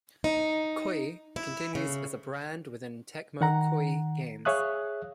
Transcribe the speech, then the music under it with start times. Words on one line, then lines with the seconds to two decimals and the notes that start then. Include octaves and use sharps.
Koei continues as a brand within Tecmo Koei Games.
0.24 D#4
1.36 E4
1.75 C#3
3.41 D#3 F#5 A#5
4.45 G#4 C#5 E5 F5 D#6 F#6